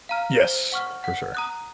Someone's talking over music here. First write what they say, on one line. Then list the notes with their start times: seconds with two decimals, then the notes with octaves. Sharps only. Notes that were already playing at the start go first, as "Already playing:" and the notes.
Yes, for sure,
0.09 F5 A#5 F6
0.41 C5
0.72 F#5 C#6 F6
1.04 F#5
1.35 A#5 D#6 F#6